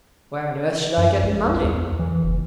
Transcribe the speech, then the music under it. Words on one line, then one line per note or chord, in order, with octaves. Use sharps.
"Where on earth should I get the money?"
F#2
A#1
E2
E3
F#1